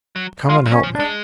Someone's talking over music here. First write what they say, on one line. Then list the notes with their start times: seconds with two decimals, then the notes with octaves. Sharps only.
"Come and help me."
0.16 F#3
0.49 G#3 F4
0.66 F#3
0.72 C#4
0.83 F3
0.95 D4
1.00 G#3